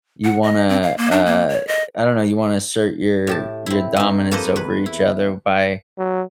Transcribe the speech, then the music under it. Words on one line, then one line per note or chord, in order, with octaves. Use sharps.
you wanna, uh, I don't know. You wanna assert your your dominance over each other by
F#5
D#5
C4
F5
A#3
D4
A#3
C#5
D#5
A2 G4 A5
C4 E4
G2 D#4
F2 A#3 A4 B4 C5 D#5
E2 B4
E4
F#3